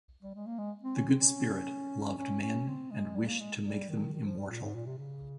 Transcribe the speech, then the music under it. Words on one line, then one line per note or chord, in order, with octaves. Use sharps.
The Good Spirit loved men and wished to make them immortal.
G3
G#3
A#3
G#3
C4
C#4
C4
C#4
C#4
C#4
C4
G#3
G3
A#3
G#3
G3
D#3
D#3
F3
G3
A#2
G#2
A#2
C3
C#3